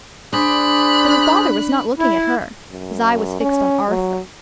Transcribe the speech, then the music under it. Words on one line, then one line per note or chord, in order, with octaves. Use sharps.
But her father was not looking at her; his eye was fixed on Arthur.
D4 G#4 C5 D5 B5 F#6
E4
F#2
C#4
F#3